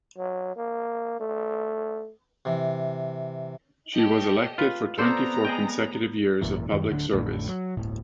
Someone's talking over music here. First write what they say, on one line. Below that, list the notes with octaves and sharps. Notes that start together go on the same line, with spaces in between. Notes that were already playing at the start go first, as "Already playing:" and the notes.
She was elected for twenty-four consecutive years of public service.
F#3
A#3
A3
C3 E3
G4 A4 D#5
F4 B4
B3 C4 A4 C5 D5 A#5 A#6
G#4 D#5 G5
G#1 F#2 A#2 E3
F#2 D#3
D1 D3 C#4 D4
A1 F2 A2 D3
F#3
D1 G1 A2